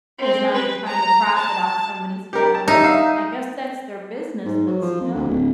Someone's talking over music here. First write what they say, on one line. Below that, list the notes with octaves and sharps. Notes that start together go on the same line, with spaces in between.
'Cause now you're trying to profit off somebody's death, which I guess that's their business, but still.
C4
B4
A#5
A5
G4 A#4
A5
G3 D#4 E5
E5 F5
G#2
F#3
F3
F2
D2
D1